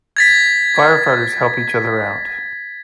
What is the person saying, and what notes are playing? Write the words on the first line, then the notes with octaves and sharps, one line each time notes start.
Firefighters help each other out.
G#6 A6 B6